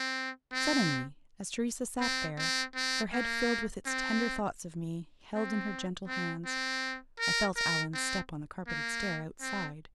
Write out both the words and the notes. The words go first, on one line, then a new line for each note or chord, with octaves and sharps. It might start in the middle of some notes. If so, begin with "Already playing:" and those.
Suddenly, as Theresa sat there, her head, filled with its tender thoughts of me, held in her gentle hands, I felt Allan's step on the carpeted stair outside.
Already playing: C4
C4
C4
C4
C4
A#3
C4
C4
C4
C4
A#4
A#4
C4
A#3
C4